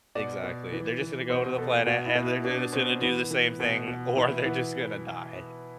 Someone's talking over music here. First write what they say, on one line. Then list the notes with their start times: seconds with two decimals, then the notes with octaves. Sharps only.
Exactly. They're just gonna go to the planet, and they're j gonna sonna do the same thing, or they're just gonna die.
0.15 B2 D5
0.44 B2
0.72 E3
1.01 E3
1.30 B2 C5
1.58 B2 A4
1.87 B2 F#4
2.06 E4
2.15 B2
2.26 E4
2.44 B2 D4
2.73 B2 C4
3.01 E3 B3
3.31 E3
3.60 B2
3.88 B2
4.16 E3 E4
4.45 E3 B3